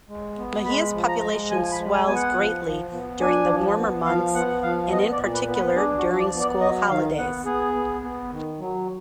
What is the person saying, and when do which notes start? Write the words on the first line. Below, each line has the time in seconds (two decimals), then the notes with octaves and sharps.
Mahia's population swells greatly during the warmer months and in particular during school holidays.
0.09 G#3
0.38 B3
0.65 G#3 B5
0.94 F3
1.08 A#5
1.23 G#3
1.51 F3 G#5
1.72 B5
1.79 G#3
1.94 G#5
2.07 B3 G#5
2.15 F#5
2.36 F3
2.64 F3
2.92 B3
3.21 D4 G#5
3.49 F3
3.77 B3
4.06 F3 F5
4.35 B3 F#5
4.63 F3 F5
4.91 B3 D#5
5.12 D5
5.19 A#2
5.34 B4
5.48 B3
5.54 B4
5.76 D4 G#4
5.98 F#4
6.05 F3
6.19 D5
6.33 B3
6.40 D5
6.61 F#3 D#5
6.89 D#3 F5
7.18 B3 F#5
7.46 B3 G#4
7.75 B3
8.03 B3
8.31 D#3
8.59 F#3